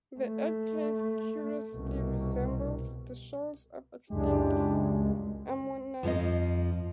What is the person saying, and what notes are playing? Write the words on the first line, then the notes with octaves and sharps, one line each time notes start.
The eggcase curiously resembles the shells of extinct ammonites.
A3
C2 B2
C#2 F#2 G#3 D4 E4 G4
F2 F3 F4 D#5